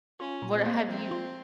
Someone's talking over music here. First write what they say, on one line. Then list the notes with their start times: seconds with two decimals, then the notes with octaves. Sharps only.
What have you
0.20 C#4 F4
0.42 A#2
0.54 C4
0.66 A#3
0.89 F3 C4
1.11 F4